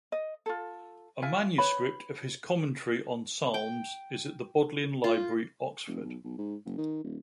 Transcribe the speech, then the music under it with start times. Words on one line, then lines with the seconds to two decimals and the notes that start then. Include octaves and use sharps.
A manuscript of his commentary on Psalms is at the Bodleian Library, Oxford.
0.12 D#5
0.46 F4 A4
1.22 F4 E5 G#5
1.58 B4 C#5 B5
3.54 G5
5.04 F4
5.87 F1
6.04 B1
6.24 B1
6.38 G#2
6.65 F#1
6.78 D#3
7.03 D#1